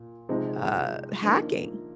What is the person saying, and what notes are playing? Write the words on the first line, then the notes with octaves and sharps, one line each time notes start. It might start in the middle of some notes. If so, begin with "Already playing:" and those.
uh, hacking
Already playing: A#2
C3 F3 G#3 C4 D#4
D3 F3 A#3 D#4